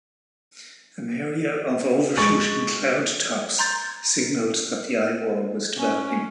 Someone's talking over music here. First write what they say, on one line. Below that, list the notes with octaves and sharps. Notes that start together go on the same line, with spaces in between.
An area of overshooting cloud tops signaled that the eyewall was developing.
G#3 C#6 A6
A#5 C6 G6 A6
C#4